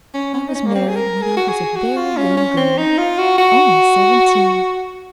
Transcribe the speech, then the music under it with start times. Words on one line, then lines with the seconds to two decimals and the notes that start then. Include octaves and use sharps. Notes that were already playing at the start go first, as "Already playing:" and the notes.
I was married when I was a very young girl--only seventeen.
0.14 C#4
0.34 C#4
0.49 D#4
0.55 C#4
0.67 A#3
0.75 C4
0.89 G#4
0.96 A#4
1.22 G#4
1.37 F#4
1.49 G#4
1.76 F#4
1.97 F4
2.17 C#4
2.37 C#4
2.57 C4
2.78 D#4
2.98 F4
3.18 F#4
3.38 F#4